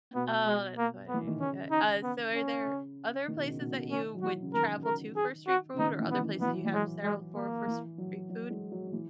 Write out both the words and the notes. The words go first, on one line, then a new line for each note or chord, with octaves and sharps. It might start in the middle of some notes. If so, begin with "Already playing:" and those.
oh, that's funny. Yeah, uh, so are there other places that you would travel to for street food or other places you have settled for, for street food?
B2 B3
G#3
A#3
B3
E3
D#3
C#3 C#4
D#4
B3
C#4
C#3
D#3
B2
C#3
B2
B2
C#3
D#3 C#4
F#3
E3 F#4
C#3
D#3 A#4
A#4
G#4
F#4
C#3
D#3 D#4
E3
B3
E3
E3 B3
F#3
E3
G#3
G#3
A#3
E3
F#3
F#3
G#3
F#3
F#3
E3